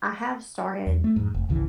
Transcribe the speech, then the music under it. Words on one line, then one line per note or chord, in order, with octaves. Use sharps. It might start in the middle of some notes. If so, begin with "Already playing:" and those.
I have started
E2
A3
F2 G#2
F1
G#1 C#2 C#3 E3